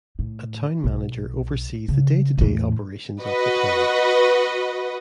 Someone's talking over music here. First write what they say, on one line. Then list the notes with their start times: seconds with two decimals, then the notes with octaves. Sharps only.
A town manager oversees the day-to-day operations of the town.
0.19 A2
0.84 B1
1.88 C#3
2.37 E2 A2
3.22 F#4 B4 D#5